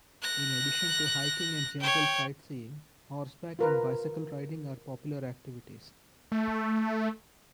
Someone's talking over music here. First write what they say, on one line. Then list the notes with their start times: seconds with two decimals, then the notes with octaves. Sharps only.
In addition to hiking and general sightseeing, horseback and bicycle riding are popular activities.
0.22 F#6 A#6
1.80 C#5 G5
3.59 F4 A#4 B4
6.32 A3